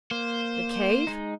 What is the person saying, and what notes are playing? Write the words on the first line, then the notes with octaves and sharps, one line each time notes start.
"The cave?"
A#3 C5
G#3 D#4